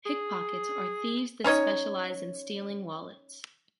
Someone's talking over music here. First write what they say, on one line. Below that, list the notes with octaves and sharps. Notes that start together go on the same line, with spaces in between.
Pickpockets are thieves that specialize in stealing wallets.
G#4
C#4 D#4 C#5 D#5